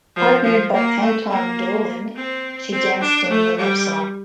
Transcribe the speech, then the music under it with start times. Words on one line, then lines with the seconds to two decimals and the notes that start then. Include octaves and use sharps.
Partnered by Anton Dolin, she danced in "The Love Song".
0.16 F3
0.44 F3
0.73 A#3
1.01 A3
1.31 A#3
2.16 C4
2.72 C4
3.01 D4
3.30 A3
3.58 G3